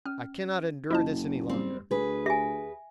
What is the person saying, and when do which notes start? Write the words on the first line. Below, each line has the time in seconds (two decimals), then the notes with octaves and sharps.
I cannot endure this any longer.
0.06 C#4 F6
0.91 F#1 E4 D#5 A5
1.49 G3 C4
1.91 D2 G#4 B4
2.26 G4 E5 G#5